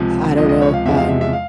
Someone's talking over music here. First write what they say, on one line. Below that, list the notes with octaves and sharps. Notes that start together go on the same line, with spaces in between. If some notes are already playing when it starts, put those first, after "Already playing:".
I don't know if I'm
Already playing: C#2 C3 F3
C#2 C3 F3 D#5
D#5
C#5
F5
E2 C3 F3 G#3 E5
F5
E5
E5
F5